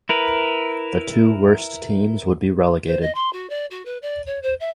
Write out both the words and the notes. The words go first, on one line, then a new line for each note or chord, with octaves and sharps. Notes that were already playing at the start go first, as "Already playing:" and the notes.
The two worst teams would be relegated.
E4 A#4 B4
C5
D#5
C6
F#4
D5
F#4
B4
D5
C#5
C5
E5